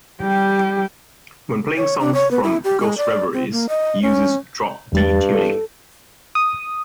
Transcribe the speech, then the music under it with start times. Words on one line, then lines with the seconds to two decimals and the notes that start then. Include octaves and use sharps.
When playing songs from "Ghost Reveries" he uses Drop D tuning.
0.22 G3 G4
1.77 C#5
2.00 D4
2.14 C#5
2.31 B3
2.43 E4
2.64 G4
2.81 G#3
2.98 D5
3.33 C4
3.52 A#3
3.69 D#5
4.02 C#4
4.93 E2 G2 G3 A6
5.34 A4
6.35 D#6